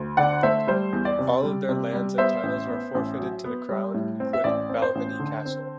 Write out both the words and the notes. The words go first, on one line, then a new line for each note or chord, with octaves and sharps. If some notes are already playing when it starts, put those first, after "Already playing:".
All of their lands and titles were forfeited to the Crown, including Balvenie Castle.
Already playing: D2
D3 D5 F#5
A3 C5 E5
G3 C5
E2
D5
C3
G3
C3
G3
B3 C5 E5
A1
B3
A1
F#3
B3
G3
A2
C4
E5
A1 D5
C4
C5
A1
D3
C4